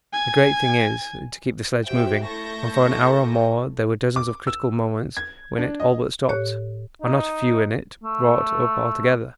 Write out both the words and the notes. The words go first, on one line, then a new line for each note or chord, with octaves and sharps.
The great thing is to keep the sledge moving, and for an hour or more there were dozens of critical moments when it all but stopped, and not a few in it brought up altogether.
G#5 G#6
F#4 G4 C5 E5 G5
A3 E4 A5 C#6 G6 A#6
D6
E6
G#6
D4
D#5
A2 G4 C#5 F#6
D#4
A3